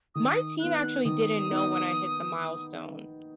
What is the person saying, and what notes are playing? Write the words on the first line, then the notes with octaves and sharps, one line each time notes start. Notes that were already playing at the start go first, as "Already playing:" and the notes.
my team actually didn't know when I hit the milestone.
D#3 D#6
B3 D#4 F#6
D#3 D#6
B3 D#4